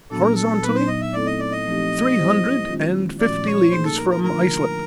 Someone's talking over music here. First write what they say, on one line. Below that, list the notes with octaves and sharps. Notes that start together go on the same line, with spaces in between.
"Horizontally, three hundred and fifty leagues from Iceland."
A#2 F#3 B3 D4 F#4 A4
A#4
A4
A#2 F#3 B3 D#4 B4
C5
D#5
E5
A3 C4 E4 A4 D5
D#5
D5
D#5
F3 A3 C4 D#4 G4
F#3 B3 E4 G4 C5
D#3 G#3 C#4 F4
A#2 F3 A3 C#4 F#4 D5
C#5
A#3 D#4 G#4 C5
A4
A#4
A#4
D3 F3 A3 D4 F4 A#4